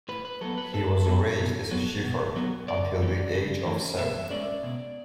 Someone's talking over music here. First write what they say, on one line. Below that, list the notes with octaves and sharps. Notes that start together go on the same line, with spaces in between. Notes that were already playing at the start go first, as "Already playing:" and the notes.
He was raised as a shepherd until the age of seven.
A2 B4
B4
F#3 B3 A4
B4
A2 A4
F#3 B3
B2
F#3 B3
B2
F#3 B3
C#3 D5
E3 A3 C#4
C#3
E3 A3 C#4
B2 E5
G#3 C#4 D5
B2